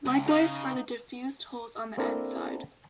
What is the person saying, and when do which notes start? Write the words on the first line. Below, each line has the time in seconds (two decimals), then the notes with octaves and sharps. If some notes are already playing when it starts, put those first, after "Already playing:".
Likewise for the diffused holes on the N-side.
0.06 C#2
0.28 C#3 D#4 D#5 F5
1.97 A#3 C4 D4 E4 A4 A#4